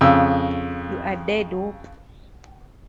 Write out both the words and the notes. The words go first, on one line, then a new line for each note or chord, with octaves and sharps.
You a dead wop.
F2 C#3 E6